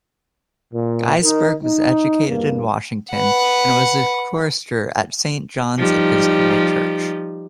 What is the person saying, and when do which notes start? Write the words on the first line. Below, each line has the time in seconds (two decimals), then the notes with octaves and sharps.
Gaisberg was educated in Washington and was a chorister at Saint John's Episcopal Church.
0.74 A#2
1.23 D#4 A#4
1.64 D#4
2.28 E2 G2 A#3
3.13 B4 F#5
5.78 F3 G3 D#4